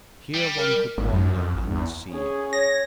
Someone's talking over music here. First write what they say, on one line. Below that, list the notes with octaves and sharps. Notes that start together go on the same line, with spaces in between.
Here one could wander unseen.
G3
A#4
G#1
F#2
F2
A1
E2
C#4 G#4
C#5 A#6